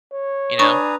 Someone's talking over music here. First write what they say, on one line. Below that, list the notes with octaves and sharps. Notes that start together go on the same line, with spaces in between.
you know?
C#5
D4 B4 G#5 A#5 C#6 D#6